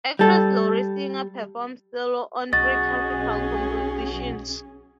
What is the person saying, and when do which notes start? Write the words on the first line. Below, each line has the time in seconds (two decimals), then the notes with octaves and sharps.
Actress Lori Singer performs cello on three classical compositions.
0.19 G3 A4
2.53 B1 C#4 F#4 G#4 D#5 A6